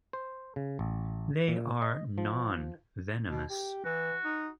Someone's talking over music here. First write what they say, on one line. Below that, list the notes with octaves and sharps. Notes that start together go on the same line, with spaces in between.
They are non-venomous.
C5
C#3
A1
A#2
D#5
F3
B2
G4
E3 F#4
D#4